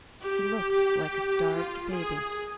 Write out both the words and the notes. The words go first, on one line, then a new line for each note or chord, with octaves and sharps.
She looked like a starved baby.
G4
F4
G#4